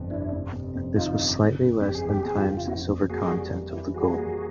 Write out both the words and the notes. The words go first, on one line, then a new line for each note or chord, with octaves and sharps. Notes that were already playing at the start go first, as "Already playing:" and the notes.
This was slightly less than times the silver content of the Gulden.
Already playing: G1 F2
C3 D4 E4
F2
C3
F2
D#3 D#4 F4
G1
C#3
C#3
F2 G4
G#4
E3
G4
F2 G#4
F4 G4
C#3
F4
F2 E4 F#4
F2
A#3 F#4 G#4
G3
E3
E3
G3 F#4 G#4
A#3